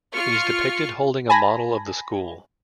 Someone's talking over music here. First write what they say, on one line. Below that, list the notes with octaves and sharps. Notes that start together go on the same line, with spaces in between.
He is depicted holding a model of the school.
F4 C#6 F6 C#7
G#5 A5 B5 A#6